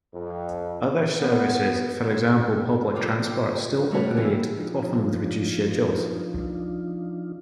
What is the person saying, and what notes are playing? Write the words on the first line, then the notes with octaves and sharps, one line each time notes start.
Other services, for example, public transport, still operate but often with reduced schedules.
F2
B3
C3 C4
G2 C3 F4 G4 D6
G3 A3 F#4 A#4 B4 C#5
C3 E3 A#3 C#4 F4
F3 D4 D#4 F4